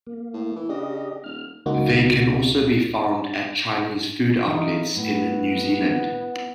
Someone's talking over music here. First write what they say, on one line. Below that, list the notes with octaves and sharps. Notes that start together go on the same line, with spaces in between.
They can also be found at Chinese food outlets in New Zealand.
A#3
A2
E3
C#3 D4 G4 D#5
D#1 F6
C#2 A#3 D#4 F#4
E3 D#4 A4 F5
A2 B3